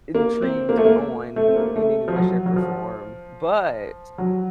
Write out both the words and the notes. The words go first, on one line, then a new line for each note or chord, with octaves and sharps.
intrigued on in any way, shape or form. But,
A#3
C4
A#3
A3
A#3
A3
C4
A#3
A3
F3
F#3
F#3
F3
F#3